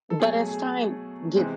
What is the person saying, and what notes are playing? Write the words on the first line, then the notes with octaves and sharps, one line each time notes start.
but as time gets
A4
B2 F#3 A3 G#4
G#4
C3 E3 G#3 C4